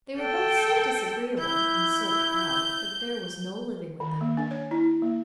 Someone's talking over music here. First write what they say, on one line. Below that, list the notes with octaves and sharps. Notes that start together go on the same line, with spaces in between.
They were both so disagreeable, and so proud, that there was no living with them.
A4 G5
E4 G6
D#3
A#3
D4
C#5
E4
A#3